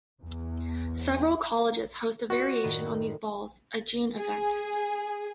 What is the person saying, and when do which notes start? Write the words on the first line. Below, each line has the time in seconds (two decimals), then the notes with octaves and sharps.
Several colleges host a variation on these balls, a June Event.
0.22 E2
2.30 F4 F#4 D5
2.63 F#2 A2 D#3
4.16 G#4